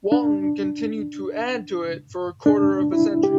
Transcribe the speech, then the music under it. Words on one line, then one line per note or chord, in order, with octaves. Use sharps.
Walton continued to add to it for a quarter of a century.
D4
D4
E4
G4